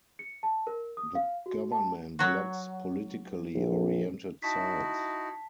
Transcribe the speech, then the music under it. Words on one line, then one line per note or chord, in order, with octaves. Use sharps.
The government blocks politically oriented sites.
C#7
A5
A#4
D#6
F5
F#4
A5
F#3 F#4
A#1
D#4 E4 F#4 A5 B6